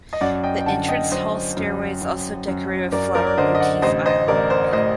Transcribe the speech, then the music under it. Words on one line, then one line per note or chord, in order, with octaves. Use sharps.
The entrance hall stairway is also decorated with flower motif ironwork.
D#5
F#2 D5 F#5
D#5 G5
G5
D3 F#5 A5
D#5 G5
F#2 C5 D#5
F#2
F#2
F#2
F#2 A#4 D5
A#4 D5
D5
D3 C5 D#5
D#5
D5 F#5
A1 C5 D#5
C5 D#5
A1 A#4 D5
C5
A2 C5 D#5